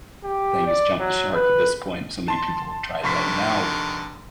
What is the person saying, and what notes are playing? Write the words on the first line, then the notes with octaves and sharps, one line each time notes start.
thing has jumped the shark at this point, so many people have tried that. And now,
G4
D5
F#3
B4
A5 C6
F1 D3 D#3 C#6 B6